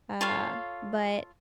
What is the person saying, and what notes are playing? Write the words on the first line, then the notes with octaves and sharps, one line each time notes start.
uh, but
F4 A4 C#5 F5